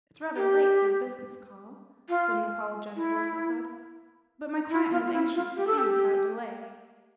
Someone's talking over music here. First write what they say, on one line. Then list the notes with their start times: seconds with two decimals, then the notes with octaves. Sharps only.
"It's rather late for a business call," said an apologetic voice outside, "but my client was anxious to see you without delay."
0.36 G4
2.09 F4
2.96 E4
4.70 E4
4.91 F4
5.06 F4
5.13 E4
5.35 F4
5.57 G4
5.67 A4
5.78 G4